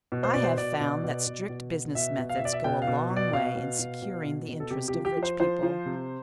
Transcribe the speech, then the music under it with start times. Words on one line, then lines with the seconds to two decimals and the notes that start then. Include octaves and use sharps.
I have found that strict business methods go a long way in securing the interest of rich people.
0.12 B2
0.23 C5
0.33 B2 D5
0.44 C5
0.57 B2 D5
0.80 B2
1.04 B2
1.27 B2
1.49 B2
1.72 B2
1.95 B2 E5
2.18 B2
2.29 F5
2.37 E5
2.41 B2 D5
2.53 E5
2.64 B2 G5
2.82 F5
2.87 B2
3.10 B2
3.16 D5
3.33 B2 F5
3.56 B2
3.79 B2
4.02 B2
4.25 B2
4.48 B2
4.60 A4
4.71 C3 G4
4.88 G4
4.94 F3
5.05 G4
5.17 F3
5.23 C5
5.40 F3 C5
5.63 F3
5.86 C3